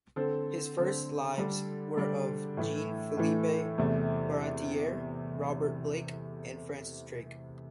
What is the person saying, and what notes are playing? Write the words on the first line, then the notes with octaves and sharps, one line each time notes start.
His first "lives" were of Jean-Philippe Baratier, Robert Blake, and Francis Drake.
D3 C4 A4
D3 C4 A4
D3 G3 D4 A4
D3 G3 D4 A4
A2 E3 A3
A2 E3 A3
E2 C3 A3